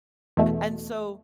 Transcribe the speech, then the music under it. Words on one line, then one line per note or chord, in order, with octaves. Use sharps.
and so,
E2 B2 A3